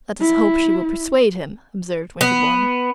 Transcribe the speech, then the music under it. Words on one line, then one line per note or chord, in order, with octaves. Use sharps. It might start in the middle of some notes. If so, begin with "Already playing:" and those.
"Let us hope she will persuade him," observed Winterbourne.
E4
B3